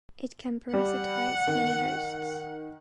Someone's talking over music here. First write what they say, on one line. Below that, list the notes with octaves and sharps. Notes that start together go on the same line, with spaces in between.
It can parasitize many hosts.
G3 F#5
D#3